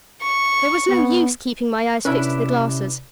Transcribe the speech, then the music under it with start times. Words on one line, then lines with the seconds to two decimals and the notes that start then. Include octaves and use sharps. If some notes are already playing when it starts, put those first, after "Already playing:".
There was no use keeping my eyes fixed to the glasses.
0.22 C#6
0.89 B3
2.05 C3 C#4 D4 E4 B4